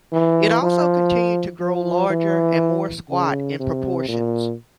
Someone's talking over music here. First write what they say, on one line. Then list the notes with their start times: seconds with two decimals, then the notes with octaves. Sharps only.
It also continued to grow larger and more squat in proportions.
0.13 E3
0.62 F3
1.61 F3
2.10 E3
3.10 C#3
3.60 C3
4.08 A#2